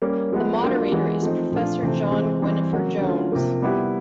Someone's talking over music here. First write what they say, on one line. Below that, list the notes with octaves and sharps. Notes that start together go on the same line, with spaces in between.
The Moderator is Professor John Gwynfor Jones.
G3 A#3 C#4
F3 G#3 B3
F#3 A#3 D4 F4
E3 G#3 B3
F3 A3 C4 D#4
A#2 F3 A3 D4 F4
C3 E3 A3 C4
E3 G#3 C4
E3 G3 C4
C#3 F#3 A#3
D3 F#3 A3 C#4 F4
C3 F3 A#3
G3 B3 E4 G4